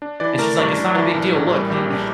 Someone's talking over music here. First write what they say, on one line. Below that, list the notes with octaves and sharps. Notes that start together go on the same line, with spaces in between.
And she's, like, "It's not a big deal. Look. He he
D4
E3 D5
A3 A#4
G2
D4
E3
A#1
A2
G3
A#1 G4
A#1